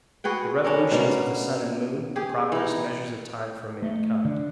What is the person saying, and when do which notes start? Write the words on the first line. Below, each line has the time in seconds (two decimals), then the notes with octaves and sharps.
The Revolutions of the Sun and Moon, the properest Measures of Time for mankind.
0.24 F#4 G#4 B4 G5
0.64 C#4 D4 A#4
0.91 B2 A#3 B3
2.16 G4 G#4
2.52 E3 D#4
3.82 A3
4.25 D3